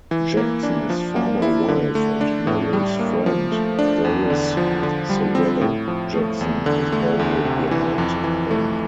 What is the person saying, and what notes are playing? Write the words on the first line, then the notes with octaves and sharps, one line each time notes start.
Jackson's former wife and Merrill's friend, Doris Sewell Jackson is buried behind them.
E3
A#3
D4
F3
A#3
E4
D3
A3
D4
A2
G3
A#3
F3
A3
D4
E2
D3
F3
D3
G3
C4
A2
F3
A3
E2
D3
A3
D2
C3
E3
F2
E3
A3